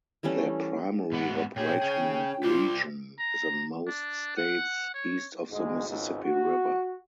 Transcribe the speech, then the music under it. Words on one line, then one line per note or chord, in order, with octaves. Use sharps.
Their primary operating region is in most states east of the Mississippi River.
E3 G3 A3 C#4
G#2 B3 F#5
A#2 G#4 C#5 G5
C#4 G#4
F4 G4 C5 D5
A#5
D4
F#5
C#5
D2 G#2 G#3
G#1 C#2 G#2
F#4